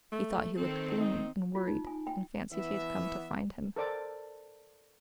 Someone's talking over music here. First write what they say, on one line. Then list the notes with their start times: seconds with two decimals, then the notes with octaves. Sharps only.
He thought he looked gloomy and worried, and fancied he had come to find him.
0.12 A3
0.57 D#3 C4 A4
1.00 D#4
1.55 F4
1.68 D#4
1.87 G#5
2.07 G5
2.52 E3 B3 E5
3.76 A4 A#4 C5 D5 D6